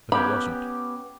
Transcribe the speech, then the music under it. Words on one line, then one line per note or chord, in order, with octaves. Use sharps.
But he wasn't.
B3 C#4 G4 B5